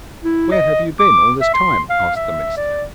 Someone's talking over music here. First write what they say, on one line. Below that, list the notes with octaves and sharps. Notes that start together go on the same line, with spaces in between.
'Where have you been all this time?' asked the minister.
E4
D#5
D6
E5
C6
F5
E5
D5